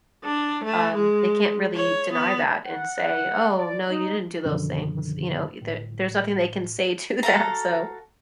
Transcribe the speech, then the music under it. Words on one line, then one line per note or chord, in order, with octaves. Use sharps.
Um, they can't really deny that and say, "Oh, no, you didn't do those things." You know? Y there there's nothing they can say to that. So
D4
A3
G#3
C#5
B3
F#5
D5
D#4
F#2 B2 D3 D#3 F3
G1 A2
F#4 A4 F5 A#5